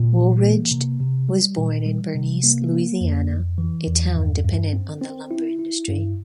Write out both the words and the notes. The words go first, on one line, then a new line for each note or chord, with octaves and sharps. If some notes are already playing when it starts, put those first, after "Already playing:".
Woolridge was born in Bernice, Louisiana, a town dependent on the lumber industry.
Already playing: A#2
E3
A#3
C3
C3
G3
A#2
G3
C3
A#3
A#3
F2
F2
E3
E2
G2
G2
C4
C4
E4
E4
G2